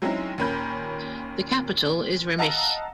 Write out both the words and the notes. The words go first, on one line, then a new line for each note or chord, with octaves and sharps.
The capital is Remich.
F#3 G#3 C4 C#4 D#4 E4
D#2 A#2 C#4 A#4 B5 G6
D#5 F5 F#5 A5 A#5 E6